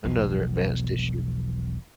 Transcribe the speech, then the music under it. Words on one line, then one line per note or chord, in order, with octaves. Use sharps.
another advanced issue,
E1 B1 F3